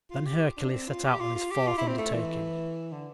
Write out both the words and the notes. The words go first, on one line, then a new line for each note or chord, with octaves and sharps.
Then Hercules set out on his fourth undertaking.
F4
G4
D4
C4
F4
G4
F4
F4
G4
F4
E4
C4
A3
E3
D3